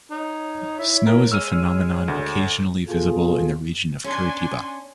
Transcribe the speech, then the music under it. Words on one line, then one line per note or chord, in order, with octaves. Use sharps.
Snow is a phenomenon occasionally visible in the region of Curitiba.
D#4 C#5
E4
A#4
G#3 E6 F6 D#7
D2
B2 F4 G#4 A4
C#4 D4 G#5 C6